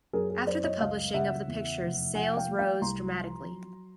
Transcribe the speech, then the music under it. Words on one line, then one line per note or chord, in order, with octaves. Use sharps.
After the publishing of the pictures sales rose dramatically.
F#2 G#4 A#4
G#4
F#2 C5 D5
C#5 D#5
C#2 D#5 F5
C#3 E5 F#5
E2
F1
F3 F#5 G#5
F5 G5
A3
F5 G5
C2 A#5 C6
F3
F#3